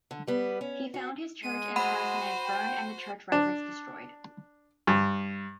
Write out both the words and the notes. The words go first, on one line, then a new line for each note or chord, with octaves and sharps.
He found his church and parsonage burned and the church records destroyed.
D3
G3 B3
C#4
F#4
G#3 D#7
F#4 C5 F#5 B5 D#7
G5
D4
G2